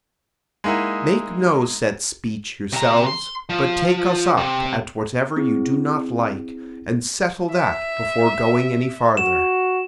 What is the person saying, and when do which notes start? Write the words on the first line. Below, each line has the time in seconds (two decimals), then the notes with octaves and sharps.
Make no set speech yourselves, but take us up at whatever you do not like, and settle that before going any farther.
0.64 G#3 A#3 D#4 E4 F#5
2.73 C3 A#5
3.07 C6
3.49 F3
4.37 C3
5.37 C4 E4 G#4
7.50 E5
9.17 F#4 E7